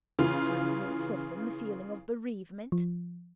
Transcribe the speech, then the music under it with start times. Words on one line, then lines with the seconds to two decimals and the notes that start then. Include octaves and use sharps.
Time will soften the feeling of bereavement.
0.19 C#3 E3 F4
2.72 F3